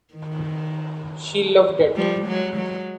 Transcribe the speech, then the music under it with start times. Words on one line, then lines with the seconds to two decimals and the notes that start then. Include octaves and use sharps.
She loved that.
0.14 D#3
1.96 F3 G3
2.27 F#3 G#3
2.57 F#3 G#3